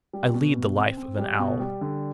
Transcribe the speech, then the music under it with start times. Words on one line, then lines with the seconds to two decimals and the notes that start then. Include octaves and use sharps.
'I lead the life of an owl.'
0.13 G3
0.35 B2
0.56 B2
0.76 C4
0.97 C4
1.19 G3
1.39 B2
1.60 G3
1.81 D3